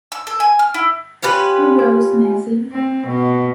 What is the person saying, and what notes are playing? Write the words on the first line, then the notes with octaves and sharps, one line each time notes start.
Who Goes Nazi?
E6
A4
G#5
F6
E4
C#4 F4 G4 B4
C4
B2